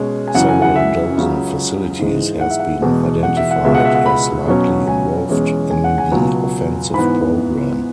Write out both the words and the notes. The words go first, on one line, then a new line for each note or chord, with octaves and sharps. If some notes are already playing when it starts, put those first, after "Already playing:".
Several dozen facilities has been identified as likely involved in the offensive program.
Already playing: B2 G#3 C#4
G#5
F#2 C#3 E3 F#5
G#5
F#5
E5
C#2 C#3 F#3
G#2 E3 G#3
F#5
E5
F#5
E2 B2 G#3
F#5
E5
F#5
C#2 B2 G#3 E5
F#5
E5
F#5
B5
B2 F#3 C#4
G#5
E2 B2 G#3 C#4
G#5
F#5
G#5
C#2 B2 F#3
G#2 E3 B3 B5